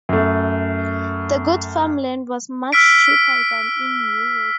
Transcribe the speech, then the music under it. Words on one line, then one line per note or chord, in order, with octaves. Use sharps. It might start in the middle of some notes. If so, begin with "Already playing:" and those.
The good farm land was much cheaper than in Europe.
F#2 A3
E6 F6 B6 D7